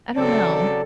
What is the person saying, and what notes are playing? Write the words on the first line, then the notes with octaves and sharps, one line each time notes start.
I don't know.
C#3 F#3 C4 A4 D5 A5